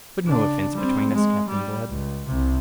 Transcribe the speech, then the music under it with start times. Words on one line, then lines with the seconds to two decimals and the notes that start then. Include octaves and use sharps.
"But no offence between us, Captain Blood!"
0.23 C#3 D4
0.73 G3 C4
1.10 G#3
1.48 G3
1.89 C#2
2.27 C2 C3